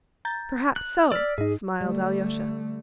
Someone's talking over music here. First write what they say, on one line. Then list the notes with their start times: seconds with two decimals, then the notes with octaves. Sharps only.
"Perhaps so," smiled Alyosha.
0.25 A#5 G6 A6
0.76 F#6
1.12 D5 E6 F6 B6
1.38 G#2 D#4 G#4
1.81 D3 G3 A3